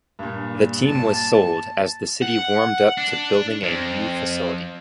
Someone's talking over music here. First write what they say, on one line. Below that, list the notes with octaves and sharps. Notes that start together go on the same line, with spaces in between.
The team was sold as the city warmed up to building a new facility.
G2 A#2
A5
F#5
D4
F2